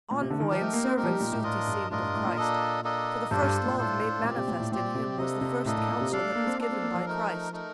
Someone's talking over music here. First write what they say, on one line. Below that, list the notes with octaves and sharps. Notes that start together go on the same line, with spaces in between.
Envoy and servant sooth he seemed of Christ, For the first love made manifest in him Was the first counsel that was given by Christ.
A#2
C3
D3
D#3
F3 D#4 G4 A#4
A3
A#3
C4
A#3 D#4 G4 A#4
F3
G3
A#2
A2
A2 D4 F4 A#4 D#5
G2
A2 D4 F4 A#4 D#5
G2
A2
A#2
A#3 D4 A4 D#5
A#3 D4 A4 D#5
G2 D4 F4 A4 C5
G2
A#2
A2 D4 F4 A4 C5
A2
A2
A#2 C4 G4 D5
C3
A#2
A2
A#2 C4 G4 D5
C3
C3 A#3 D4 A4 D#5
C3
A2 A#3 D4 A4 D#5
A2
A#2
C3
G3 D4 A4 D5 F5
A3
A#3
C4
A#3 D4 A4 D5 F5
C4
A#3
F3
A3 D#4 A#4
A3 D#4 A#4